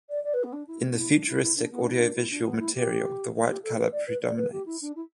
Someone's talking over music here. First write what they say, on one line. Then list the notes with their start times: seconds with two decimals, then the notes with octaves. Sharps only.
In the futuristic audiovisual material the white color predominates.
0.09 D5
0.24 D5
0.33 B4
0.43 B3
0.52 D4
0.67 E4
0.93 D4
0.97 E4
1.11 D4
1.26 E4
1.41 E4
1.56 D4
1.71 B3
1.81 D4
1.90 E4
2.00 D4
2.15 E4
2.30 D4
2.45 B3
2.59 E4
2.74 G4
3.47 G4
3.63 A4
3.77 B4
3.92 D5
4.07 B4
4.22 D5
4.36 B4
4.51 G4
4.65 E4
4.81 D4
4.95 E4